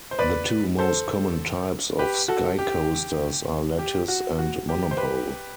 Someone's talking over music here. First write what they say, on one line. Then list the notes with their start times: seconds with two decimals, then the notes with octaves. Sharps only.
The two most common types of Skycoasters are lattice and monopole.
0.11 C5
0.19 B4 D5
0.79 A4 C5
1.99 G4 B4
2.28 F#4 A4
2.58 G4
3.79 G4
4.08 F#4
4.39 F#4
4.69 G4
4.91 C5
4.97 G4 B4